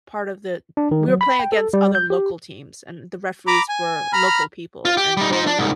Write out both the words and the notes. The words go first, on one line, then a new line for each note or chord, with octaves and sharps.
part of the We were playing against other local teams, and the referees were local people, and they
D4
D#3
F#3
B5
G5
A4
G3
G6
G4
A#5 B5 D6
G#5
A#5 B5 F6
F4
G4
G3 D#4
D#4 C5
D4
C2 G#2